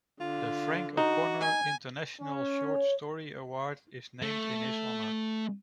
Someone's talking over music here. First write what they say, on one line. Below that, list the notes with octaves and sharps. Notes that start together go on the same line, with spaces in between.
The Frank O'Connor International Short Story Award is named in his honour.
D3 F4
D#4 F#4
G#5
C#4
C#5
A3